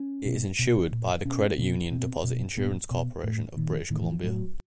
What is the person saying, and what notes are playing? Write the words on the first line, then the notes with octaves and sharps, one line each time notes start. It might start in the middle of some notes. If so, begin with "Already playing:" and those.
It is insured by the Credit Union Deposit Insurance Corporation of British Columbia.
Already playing: C#4
B2
B2
A#2
B2 C#4
B2
B2 C4
B2
A#2 B3
B2
A2
A#2 D#3
A2 D#3
E3
F3
A2 F#3